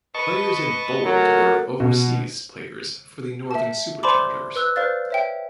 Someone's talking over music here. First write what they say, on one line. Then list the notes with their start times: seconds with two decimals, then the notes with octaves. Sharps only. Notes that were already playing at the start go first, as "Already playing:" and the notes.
Players in Bold were overseas players for the Northern Superchargers.
0.15 B4 D#5 A5 C#6
1.05 F#3 A3 A#4
1.80 B2
3.51 E5 A5
4.03 C5 D5 A5 B5 C6 D6
4.55 B4 E6 F#6
4.76 B4 C5 D5 F5 F6 A6
5.10 C#5 E5 G5